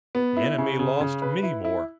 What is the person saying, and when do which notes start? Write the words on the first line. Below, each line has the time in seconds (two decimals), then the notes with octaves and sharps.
The enemy lost many more.
0.15 B3
0.37 E4
0.58 C#3
0.79 C#3
1.01 C#3
1.22 B4
1.43 E4
1.64 E4